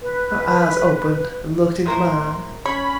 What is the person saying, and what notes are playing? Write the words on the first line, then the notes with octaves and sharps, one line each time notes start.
Her eyes opened and looked into mine.
B4
A2 A#4 C5 C6
C#4 C#5 B5